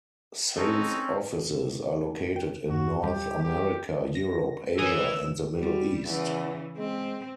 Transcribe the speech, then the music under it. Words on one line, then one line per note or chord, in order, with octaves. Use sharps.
Sales offices are located in North America, Europe, Asia and the Middle East.
C4 C#4 D#4 A4
G5
F#2 F#4
D#2 G3 G4
G4
A#6
E3 E4 A#4 B4 C#5 G#5 D#6 E6
G3 F#4
E2 C#3 E3
G#3 C4